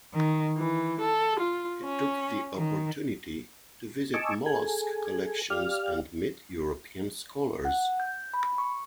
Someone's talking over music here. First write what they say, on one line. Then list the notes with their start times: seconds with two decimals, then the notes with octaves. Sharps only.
He took the opportunity to visit mollusk collections and meet European scholars.
0.13 D#3
0.56 E3
1.00 A4
1.39 F4
1.83 C#4
2.55 D#3
4.14 D#5 G#5 A5 C#6 D6 E6
4.46 G#4 A4 G#5
5.50 G4 D5 F5 F6
7.65 F#5
8.00 G6
8.34 B5
8.58 C#6